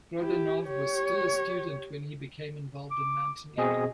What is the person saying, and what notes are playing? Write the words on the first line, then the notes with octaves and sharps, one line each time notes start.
Prodanov was still a student when he became involved in mountaineering.
E4 G4
G4 C#5
D6
B2 C4 G#4 D#5